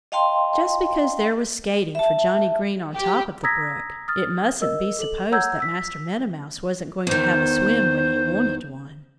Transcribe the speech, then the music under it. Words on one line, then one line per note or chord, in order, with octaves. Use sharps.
Just because there was skating for Johnnie Green on top of the brook it mustn't be supposed that Master Meadow Mouse wasn't going to have a swim when he wanted one.
D#5 F5 G5 A5 C6
E5 A5
G4
A#5 D#6 E6 G#6 A#6 B6
D#6 F6 A6
A#4 D#5 E6
A4 F#7
C#5 F#5 A#5 E6 G6 G#6
E6 B6
E2 D#3 C5